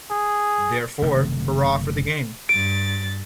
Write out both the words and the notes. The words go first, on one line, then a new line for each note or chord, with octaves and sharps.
Therefore, hurrah for the game.
G#4
F#1 C3 D#3 A3
G2 A6 D7